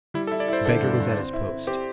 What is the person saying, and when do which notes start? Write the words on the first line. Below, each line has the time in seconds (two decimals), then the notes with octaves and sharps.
The beggar was at his post.
0.14 G3 E4
0.27 A4
0.32 E4
0.40 D5
0.48 E4 C5
0.65 D3 A4
0.82 G2
1.00 G2
1.17 C4
1.33 E4
1.50 C4
1.67 C4 G4